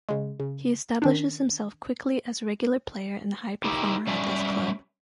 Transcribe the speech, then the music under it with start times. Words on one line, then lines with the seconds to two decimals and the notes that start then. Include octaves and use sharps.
He establishes himself quickly as regular player and high performer at this club.
0.09 C#3 G#3
0.40 C#3
1.02 D#3 C#4 D4
3.64 D#4 E4 G4
4.07 G3 C#4 E5